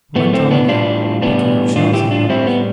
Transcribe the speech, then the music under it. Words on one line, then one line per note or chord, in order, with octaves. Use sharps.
We went on again, picking up shells and pebbles.
A2 E3 A3 B3
A3 C4
B3 D4
A2 E3 G3 D4 F4
A2 E3 G3 B3 D4
A2 G3 D4 F4
E4 G4
D4 F4
A2 G3 C4 E4
B3